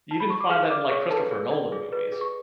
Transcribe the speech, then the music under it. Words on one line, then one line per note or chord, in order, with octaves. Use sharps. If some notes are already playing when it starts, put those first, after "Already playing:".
You even find that in, like, Christopher Nolan movies,
A5
B5
C#6
D6
G#4 F5 F6
D5 D6
G#4 C#5 C#6
A4 B4 A5
G#4
D5
G#4
B4
G#4
C#6